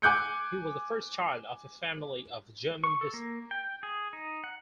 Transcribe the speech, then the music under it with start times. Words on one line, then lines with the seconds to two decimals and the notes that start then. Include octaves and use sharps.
He was the first child of a family of German descent.
0.02 G#5 D6 F#6 G6 C#7
2.84 C#6
3.01 A4
3.14 A#3
3.51 G5
3.83 G#4
4.13 D#4
4.44 F#5